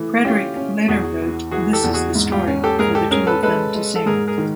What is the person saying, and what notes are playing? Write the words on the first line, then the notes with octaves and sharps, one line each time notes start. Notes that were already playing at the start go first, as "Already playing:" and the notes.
Frederick later wrote "This Is the Story" for the two of them to sing.
Already playing: E3 A3
C#4 F4 G4
C#4
E2 F#4 G#4
E3
E3 F#4 G#4
G4 A4
E2
F#4 G#4
G#2
F4 G4
C#4
G4 A4
G#2 G#4 A#4
G4 A4
C#4 G#4 A#4
A4 B4
G#3 A4 B4
G#3
A4
G#2 G#4 A#4
G#4 A#4
D#3